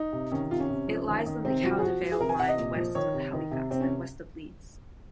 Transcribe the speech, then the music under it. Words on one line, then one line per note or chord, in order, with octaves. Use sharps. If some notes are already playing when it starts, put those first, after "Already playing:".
It lies on the Caldervale Line west of Halifax and west of Leeds.
Already playing: D#4
C3
D#3 C#4
C3 F4
C#4
C3
F3
D#3
D#3
C3 C4
F3 F#4
G#4
F3 F#4
F3
G#4
C3 A#4
G#5
C3 F#5
D#5
A#2
F3
D#3 C#5
C3
D#3
C3
C3 C4
C#4